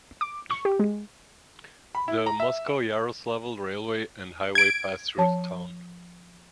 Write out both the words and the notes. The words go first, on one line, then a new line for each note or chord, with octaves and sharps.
The Moscow-Yaroslavl railway and highway pass through the town.
D6
C#6
G4
G#3
B5
E4
A#5
E5
G#6 D7
F3 C#5 A5